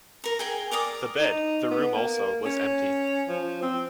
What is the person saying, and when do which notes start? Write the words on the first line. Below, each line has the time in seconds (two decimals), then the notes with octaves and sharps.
The bed, the room also, was empty.
0.24 A#4 A#5
0.39 G#4 G5 G#5
0.71 A#4 D5 D6 D#6
1.20 D#4
1.71 B3
1.95 A#3
2.45 C#4
3.29 F3
3.62 C4